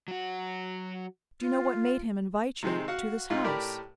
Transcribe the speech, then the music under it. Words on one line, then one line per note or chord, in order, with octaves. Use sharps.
"Do you know what made him invite you to this house?"
F#3 F#4
F4
C3 D#3 G#3 C4
F#4 F5 F#5
G#2 D#4 F4
A2 G4 A#4 D5 B5